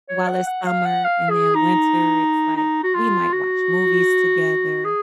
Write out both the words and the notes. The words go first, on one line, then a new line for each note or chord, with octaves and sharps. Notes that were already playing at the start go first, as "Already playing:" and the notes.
while it's summer, and then winter, it's like, we might watch movies together,
C#5
F#5
F#5
F5
F#5
F5
G#4
D#4
D#4
F#4
F4
F#4
G#4